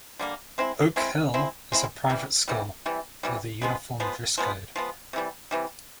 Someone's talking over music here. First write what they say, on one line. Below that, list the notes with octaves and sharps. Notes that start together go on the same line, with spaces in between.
Oak Hill is a private school with a uniform dress code.
D3 G3 A#3
G#3 C4 E4
G#3 C4 E4
G#3 C4 E4
G#3 C4 E4
C3 E3 G3
C3 E3 G3
C3 E3 G3
C3 E3 G3
F3 G#3 B3
F3 G#3 B3
F3 G#3 B3
F3 G#3 B3
C3 E3 G3
C3 E3 G3